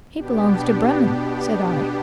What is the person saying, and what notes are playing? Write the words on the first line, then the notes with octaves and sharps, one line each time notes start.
"He belongs to Bremen," said I.
B2 B3 D4 G4